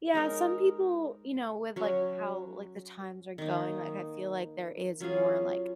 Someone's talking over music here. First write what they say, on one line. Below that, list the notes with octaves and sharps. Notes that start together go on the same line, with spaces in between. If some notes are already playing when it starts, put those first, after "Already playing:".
yeah, some people, you know, with, like, how, like, the times are going, like, I feel like there is more, like
G#3 D#4 A#4
F#3 C#4 F#4
D#3 A#3 D#4
F#3 C#4 F4 G#4